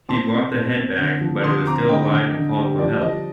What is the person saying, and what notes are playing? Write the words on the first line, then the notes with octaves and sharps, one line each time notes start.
He brought the head back, but it was still alive and called for help.
C4 A5 C6
C4
A3
C4
D3
F3
D3 C6 D#6
C4 A#5 D6
D3 D#5 G5
D3
D3
G3
F3 D5
F3 D#5